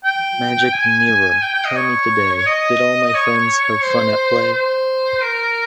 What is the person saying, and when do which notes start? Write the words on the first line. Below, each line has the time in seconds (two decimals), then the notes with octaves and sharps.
Magic Mirror, tell me today, did all my friends have fun at play?
0.04 G5
0.73 G#5
1.42 G5
1.54 G5
1.65 D#5
1.76 C#5
2.46 D#5
3.15 C#5
3.83 C5
4.52 C5
5.21 A#4